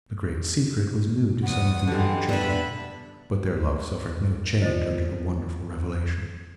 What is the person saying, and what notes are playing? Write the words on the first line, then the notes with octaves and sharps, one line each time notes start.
The great secret was new to some of the younger children, but their love suffered no change under the wonderful revelation.
E2 F#5 D#6
D3 E3 G3 G#3
B3 D4 D5 E5 B5
D3 F4 C5 D#5 A6